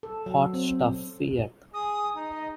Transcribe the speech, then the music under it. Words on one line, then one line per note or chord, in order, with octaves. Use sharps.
Hot Stuff feat.
A4
F#3
C4
G#4 D#6
D#4
D#5